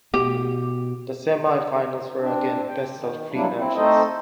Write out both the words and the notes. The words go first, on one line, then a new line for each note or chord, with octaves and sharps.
The semifinals were again best-of-three matches.
B2 G4
C4 D4
G5
D#3
B2 F#3 G3 A#3 D4 E4
C4 E4
A3 C4 D#4 A4 C5 D#5